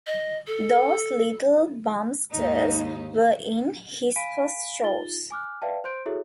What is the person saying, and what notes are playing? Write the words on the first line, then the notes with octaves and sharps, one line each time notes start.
Those little bumsters were in his first shows.
D#5
A4
D#2 G#2 D#4
F5 G#5 B5 B6 D7 D#7
D#4 F4 A6 G7
G#5 D6 F6 F#6
B4 D5 E5 F5 G5 A5
C5 C6 G6 D7
E4 F#4 G#4 A4 C#5 E5